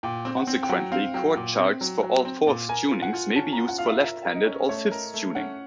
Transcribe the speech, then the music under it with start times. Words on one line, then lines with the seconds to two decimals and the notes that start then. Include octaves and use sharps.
Consequently, chord charts for all-fourths tunings may be used for left-handed all-fifths tuning.
0.03 A#2 G5
0.25 C4
0.37 F#5
0.47 C4
0.63 G5
0.69 F#3 F#5
0.92 C4 F5
1.14 F#3 G5
1.36 A#2
1.59 C4
1.81 F#3
2.03 F#3
2.25 C4
2.47 A#2
2.69 A#4 G#5
2.91 F4
3.02 F#5
3.14 F4
3.36 C#4 A5
3.53 A#5
3.58 F4
3.69 F#5
3.78 F4 F5
3.86 E5
4.02 A#4 E5
4.25 A#4
4.35 D#5
4.47 C#4
4.69 A3 C#5
4.91 A#4
5.14 A3
5.35 C#4 F#5